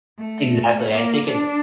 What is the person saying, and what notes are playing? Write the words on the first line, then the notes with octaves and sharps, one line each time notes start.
Exactly, I think it's
A3
A#3
D4